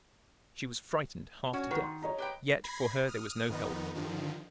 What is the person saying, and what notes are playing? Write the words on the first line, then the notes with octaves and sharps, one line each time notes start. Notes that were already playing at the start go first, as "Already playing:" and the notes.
She was frightened half to death; yet for her there was no help.
C#4 F#4
D#3 B4 F#5
C6
C#5 D#5 A#5
G4 B4 G5
B5 G#6 A#6 C7
D#6 F6
F2 D#3 B3 D#4
G2 D3 D#3 F3